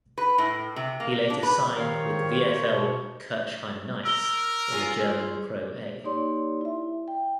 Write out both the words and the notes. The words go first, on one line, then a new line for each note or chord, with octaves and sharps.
He later signed with VfL Kirchheim Knights in the German ProA.
B4
A2
C3
A#3
D4
B4
D#3 G4 A#4 C5 C#5 F5
B2
A#4 E6 G7
C#4 F4 G#4
A#3 D#4 G4 C#5 D5 C6
E4 E5
G5